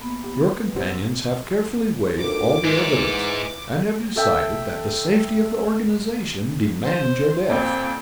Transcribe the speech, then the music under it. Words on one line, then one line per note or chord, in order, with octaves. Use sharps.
Your companions have carefully weighed all the evidence, and have decided that the safety of the organization demands your death.
A#3 B3 B5
G4
B4
B2 G3 C4
D2 D#4 F4 A#4 D6
G#2 E3
A4 E5 G5
C5
F2 A#2 C4 G5